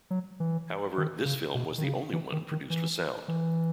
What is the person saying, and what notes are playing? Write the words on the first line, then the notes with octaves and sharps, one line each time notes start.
However, this film was the only one produced with sound.
F#3
E3
D#3
C#3
B2
D#3
C#3
E3
D#3
D#3
E3
E3